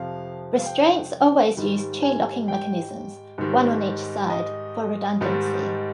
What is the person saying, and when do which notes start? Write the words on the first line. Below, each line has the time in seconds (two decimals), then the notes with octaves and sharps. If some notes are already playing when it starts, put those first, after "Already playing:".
Restraints always use two locking mechanisms, one on each side, for redundancy.
Already playing: F2 C3 F3 F5
0.55 F5
0.66 G5
1.57 G#2 D#3 G3
2.02 G#5
2.48 G5
3.38 G#2 D#3 G3
4.30 D#5
5.21 G#2 D#3 G3